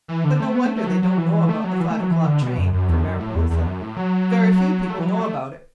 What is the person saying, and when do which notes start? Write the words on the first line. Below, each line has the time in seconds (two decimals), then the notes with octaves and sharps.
But no wonder they don't know about the five o'clock train for Mariposa. Very few people know about it.
0.08 E3
0.24 D3
0.40 A3
0.55 B3
0.66 A3
0.76 A3
0.86 F#3
1.02 F#3
1.17 E3
1.49 A3
1.64 F#3
1.80 E3
1.90 A3
2.00 F#3
2.11 E3
2.26 D3
2.42 B2
2.58 F#2
2.73 F#2
2.88 E2
3.04 F#2
3.20 A2
3.35 E2
3.50 E2
3.66 F#2
3.81 A2
3.97 F#3
4.90 A3
4.99 E3
5.06 F#3
5.21 A3